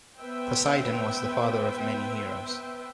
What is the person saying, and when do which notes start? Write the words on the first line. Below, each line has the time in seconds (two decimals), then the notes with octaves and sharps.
Poseidon was the father of many heroes.
0.19 B3 B4 C5 E5 G5